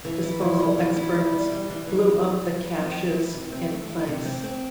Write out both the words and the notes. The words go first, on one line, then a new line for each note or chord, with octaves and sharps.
Disposal experts blew up the caches in place.
E3
E4
E2
G3
E3
E4
E2
G3
G3
E3
E3
C4
G3
E3
E3
C4
A3
E4
C3
C4
A3
E4
C3
C4
C4